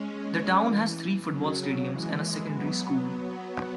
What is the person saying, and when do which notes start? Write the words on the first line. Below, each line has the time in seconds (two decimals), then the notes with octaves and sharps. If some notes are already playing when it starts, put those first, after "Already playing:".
The town has three football stadiums and a secondary school.
Already playing: G#3 C#4
0.62 E3
1.25 C#3 F#3
1.89 E3 G#3
2.52 F#3 B3